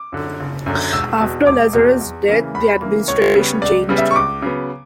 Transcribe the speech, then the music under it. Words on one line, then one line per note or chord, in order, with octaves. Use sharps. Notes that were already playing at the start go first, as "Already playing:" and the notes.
After Lazarus' death the administration changed.
Already playing: D6
F#2 D3
F#1
F#2 D3
E1 E6
E2 B2
E1 D6
E2 B2
E2
C#3 E3 A#3
E2 B5
C#3 E3 A#3
C#2 C#5
C#3 G3 B3
C#2 D5
C#3 G3 B3
E5
C#6
C#2 D6
C#3 F#3 B3